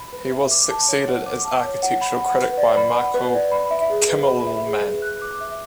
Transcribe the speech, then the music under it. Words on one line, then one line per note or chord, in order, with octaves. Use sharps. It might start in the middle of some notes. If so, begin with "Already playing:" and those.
He was succeeded as architectural critic by Michael Kimmelman.
Already playing: B5
B4
E5
D6
A5
C#5
F#5
D6
A5
C#5
F#5
B5
F#5
B4
D5
B5
F#5
B4
D5
B5
E5
G#4
B4
B5
E5
G#4
B4
F#6
D6
E5